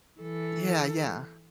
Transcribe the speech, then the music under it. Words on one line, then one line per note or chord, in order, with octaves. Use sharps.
Yeah, yeah.
E3 A4